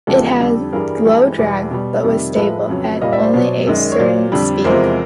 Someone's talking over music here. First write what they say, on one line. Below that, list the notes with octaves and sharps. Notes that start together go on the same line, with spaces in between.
It had low drag, but was stable at only a certain speed.
E2 C#3 F3 G#3 G4 A4
F2 D3 G3
G2 E3 G3 G#4 A#4
G#4
G2 E3 G#3 G4 A4
E2 B2 G3
B2 G3
F2 C3 D#3 G3
A2 F3 G#3 A4 B4
F2 C#3 F#3
A#2 G3 D#5 F5
D5 E5
C5 D5
B2 F#3 C5 D5
F#2 D#3 G#3
C#5
A#2 F#3 C5 D5
F2 D3 G3
E2 C3 F3 G#3 A#4 C5